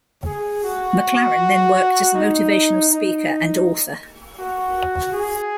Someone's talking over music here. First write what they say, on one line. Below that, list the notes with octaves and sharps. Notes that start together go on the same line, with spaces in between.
MacLaren then worked as a motivational speaker and author.
G#4
F#4
D#4
D#4
F#4
G#4